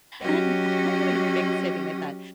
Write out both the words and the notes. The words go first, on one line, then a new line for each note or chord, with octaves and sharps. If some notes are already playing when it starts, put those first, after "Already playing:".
No, I live in a big city, and I thought,
F#3 C#4 F#4 G4 D#5